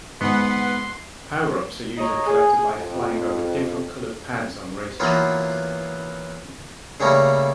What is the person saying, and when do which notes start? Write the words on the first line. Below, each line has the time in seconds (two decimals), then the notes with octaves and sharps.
Power-ups are usually collected by flying over different coloured pads on race tracks.
0.21 G#2 B3 B4 F#5 C6
1.97 C#5 D#5 A#5
2.26 G#4
2.77 F2
5.00 E3 F#3 A#3 B3 F4
7.00 C#3 G3 A3 A#3 C#4